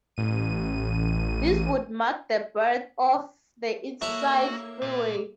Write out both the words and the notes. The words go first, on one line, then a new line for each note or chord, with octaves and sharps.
This would mark the birth of the Eastside Freeway.
A1 D#7
A#3 E4 F#4 A4 C#5
A#2